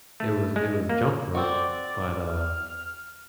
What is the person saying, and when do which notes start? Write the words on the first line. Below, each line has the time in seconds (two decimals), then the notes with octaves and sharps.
it was it was jump rope, but, uh,
0.20 A3
0.56 G#3
0.89 A#3
1.35 C4 F#4 D5
2.30 F6